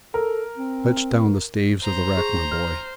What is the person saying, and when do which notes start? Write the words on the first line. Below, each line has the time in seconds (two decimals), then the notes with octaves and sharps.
Fetch down the staves of the rack, my boy.
0.14 A4 A#4
0.57 C4
1.83 C5 A#5
2.17 G#4 C#6
2.52 F6